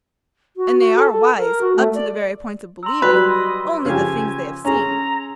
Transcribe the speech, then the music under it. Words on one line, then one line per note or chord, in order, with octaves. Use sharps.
And they are wise up to the very point of believing only the things they have seen.
F#4
F#4
A4
A4
A#4
F#4
A3
D5
A#5 C6 E6
F#3 G3 B4
D#5 C6
C#3 F3 G4 G#5
C#4 G#4 A#5